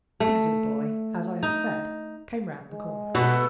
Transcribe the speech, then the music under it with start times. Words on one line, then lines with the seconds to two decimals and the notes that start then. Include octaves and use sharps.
Biggs's boy, as I have said, came round the corner.
0.20 A3
1.43 D#4
2.71 G#3
3.15 B2 A3 B3 F#4 E6